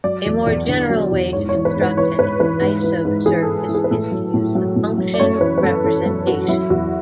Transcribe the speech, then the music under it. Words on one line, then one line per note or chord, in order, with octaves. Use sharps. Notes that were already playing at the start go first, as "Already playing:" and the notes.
A more general way to construct an isosurface is to use the function representation.
F#3 D5
E2
E2
D3
F#3
E2
G#2 C#5
C#5
E3
B4
G#2
B4
E3 C#5
G#2 B4
E3 B4
G#2
E3
G#2
E3 G#4
A4
G#2
E3
G#4
B4
A2 A4
F#3
A2
F#3
A2
F#3
D5
F#2 C#5
E3 B4
B4
F#2 A4
E3 A4
F#2
E3 F#4
F#3 E4
E2 F#4